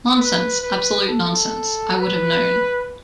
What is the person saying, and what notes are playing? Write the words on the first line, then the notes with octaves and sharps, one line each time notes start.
Nonsense, absolute nonsense: I would have known.
B4
B4
A4
B4